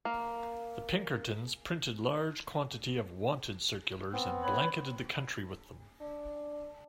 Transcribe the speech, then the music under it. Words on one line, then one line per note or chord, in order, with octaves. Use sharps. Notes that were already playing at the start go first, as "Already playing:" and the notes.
The Pinkerton's printed large quantity of "Wanted" circulars and blanketed the country with them.
A#3
B3 C4
B4 C#5 B5
D4